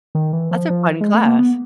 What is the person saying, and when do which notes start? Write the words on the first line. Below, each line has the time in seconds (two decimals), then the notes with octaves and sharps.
That's a fun class.
0.15 D#3
0.33 E3
0.51 F3
0.70 F3
1.01 G#3
1.14 A3
1.26 A#3
1.39 B3